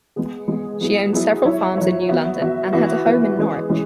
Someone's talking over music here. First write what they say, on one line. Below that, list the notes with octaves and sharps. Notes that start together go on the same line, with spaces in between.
She owned several farms in New London, and had a home in Norwich.
G#3 B3 G#4
G#3 B3 G#4
F#3 B3 E4 G#4
F#3 B3 E4 G#4
F#3 E4 C#5 E5
F#3 E4 C#5 E5
B3 F#4 E5
B3 F#4 E5
E3 B3 F#4 B4 E5
E3 B3 F#4 B4 E5
E3 G#3 C#4 G#4 B4
E3 G#3 C#4